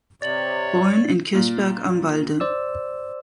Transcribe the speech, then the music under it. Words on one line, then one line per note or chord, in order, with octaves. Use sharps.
Born in Kirchberg am Walde.
C3 C#5 D5 A6 F#7
A#2
C5 D5 E6